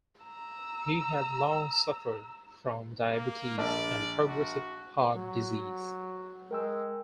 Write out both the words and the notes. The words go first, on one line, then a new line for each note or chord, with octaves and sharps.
He had long suffered from diabetes and progressive heart disease.
A#5 E6
A#3
A#1 D5
F#4
F#3
G#3 A#4 G5 E6